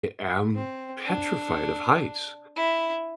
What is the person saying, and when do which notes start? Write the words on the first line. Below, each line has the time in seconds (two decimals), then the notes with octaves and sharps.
I am petrified of heights.
0.55 C4
1.06 D4
2.56 E4